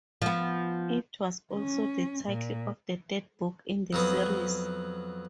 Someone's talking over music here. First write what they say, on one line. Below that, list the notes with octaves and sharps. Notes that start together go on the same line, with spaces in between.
It was also the title of the third book in the series.
F3 B3
C#4
A#2
F2 F#3 B3